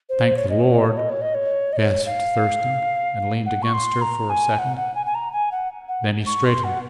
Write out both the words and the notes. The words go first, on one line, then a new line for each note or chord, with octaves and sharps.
"Thank the Lord!" gasped Thurston, and leaned against her for a second. Then he straightened.
C5
C#5
D#5
C#5
D#5
C#5
D#5
C#5
D#5
C#5
D#5
C#5
F5
F#5
C#6
C6
A#5
G#5
F#5
F#5
G#5
G#5
A#5
G#5
F#5
F#5
C#6
C6
F#5